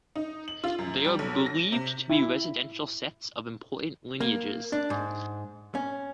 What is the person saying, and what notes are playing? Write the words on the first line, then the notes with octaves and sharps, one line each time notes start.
They are believed to be residential sets of important lineages.
D#4
F#7
F4
F#2
G3
B1
A#6
C3
E4
A#3
D4
G#2
C#4